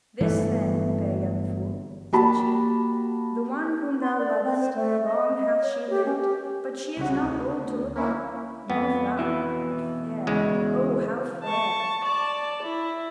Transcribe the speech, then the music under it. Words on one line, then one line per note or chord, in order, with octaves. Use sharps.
"This then, fair young fool," said she: "the one whom thou lovest, long hath she lived, but she is not old to look on, nor foul; but fair--O how fair!"
G1 E3 A3
A#3 F#4 G4 A5 B5
C6
D5
C4
C5
A3
D#5
D#5
C#5
G4
C#4
G4
C2 C#3 F#4
D2
A#3 C#4 E4
F2 B3
B2 E3 E4
E2 C#3 G#3
A5 C#6
D5 A5
E4